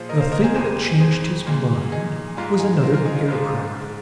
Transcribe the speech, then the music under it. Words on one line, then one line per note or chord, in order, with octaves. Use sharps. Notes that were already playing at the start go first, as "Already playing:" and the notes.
The thing that changed his mind was another aircraft.
Already playing: A#2 F3 G#3 C5 F5
A#4 D#5
C5 F5
A#4 D#5
G#4 C5
F2 C3 G#3 G#4 C5
G#4 C5
A#2 G#3
D#4 G#4
G#2 G#3 F4
D#4 G#4
C5
F4 A#4
F4 A#4
D#4 G#4
D#4
G#2 F3 G#3 F4